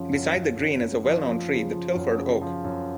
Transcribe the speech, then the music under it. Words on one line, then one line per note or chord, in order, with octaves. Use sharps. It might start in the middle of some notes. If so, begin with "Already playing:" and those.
Beside the green is a well-known tree, the Tilford Oak.
Already playing: F#2 C#3 F3
F#2
F#2
F#2
F#2
F3
F3
C#3
F3
F#2
C#3
F3
F#2